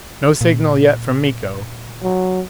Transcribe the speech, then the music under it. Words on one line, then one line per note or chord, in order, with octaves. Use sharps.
No signal yet from Miko.
A#2
F#3